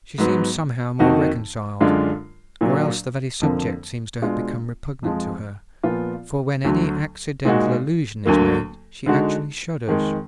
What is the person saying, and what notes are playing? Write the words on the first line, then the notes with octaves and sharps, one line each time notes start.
She seems somehow more reconciled; or else the very subject seems to have become repugnant to her, for when any accidental allusion is made she actually shudders.
G#2 F#3 B3
F2 D#3 A#3 D#4 F#4
F#2 D3 G#3 D4 F4
A#2 F#3 D4
F2 D3 F3 A#3
B2 G#3 D4 F4
F2 F3 G#3
A#2 F3 B3 F4
D2 D3 F#3
A#2 G#3 D#4 F#4
D2 D3 F#3 A#3
D3 G#3 D#4 F#4
F2 D#3 G#3